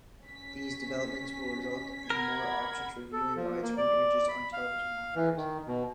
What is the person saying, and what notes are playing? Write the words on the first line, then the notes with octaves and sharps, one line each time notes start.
These developments will result in more options for viewing widescreen images on television monitors.
C#4 B6
A#4 F#5 B5 G#6
A4
F3
A#3
D5
B5
F5
E3
D#3
B2